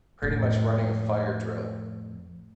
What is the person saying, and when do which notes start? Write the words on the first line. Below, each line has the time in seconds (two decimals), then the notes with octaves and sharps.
pretty much running a fire drill,
0.22 F2 A2